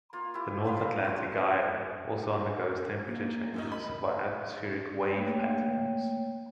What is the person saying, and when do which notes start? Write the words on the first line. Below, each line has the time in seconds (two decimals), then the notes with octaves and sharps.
The North Atlantic Gyre also undergoes temperature changes via atmospheric wave patterns.
0.13 A#3 F4
0.34 E4 G4
0.64 F4 G4 B4 F5
0.79 A4 A#4
1.05 F#3 F4 G#4
3.06 A#3
3.54 F#2 A2 D#4 A#4
3.72 D#5 B5
5.13 A3 A#3 C#5 G5